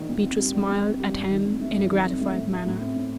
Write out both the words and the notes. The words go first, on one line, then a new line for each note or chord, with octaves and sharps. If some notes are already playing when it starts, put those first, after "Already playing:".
Beatrice smiled at him in a gratified manner.
Already playing: A#1 D#3
A#2
C4
G3
A#1
A#2
C4
G3
G2
D#3
C4
A3
G2
D#3
C4
A3
A2
A3
A2
C4
A2